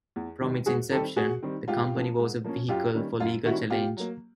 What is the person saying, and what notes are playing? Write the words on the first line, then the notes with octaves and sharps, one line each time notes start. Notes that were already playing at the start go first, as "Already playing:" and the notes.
From its inception, the Company was a vehicle for legal challenge.
E2
C3 D#3 G3
G#2 F#4 G#4
D#3 G3 C4 G4 A4
G#2 F#4 G#4
D#3 G3 C4
G#2 F4 G4
F3 A#3 C#4
G#2
F3 A#3 C#4
F#2 F4 G4
D#3 G3 A#3 C#4
F#2 F4
D#3 G3 A#3 C#4 E4 F#4
B2 F4 G4
F#3 A#3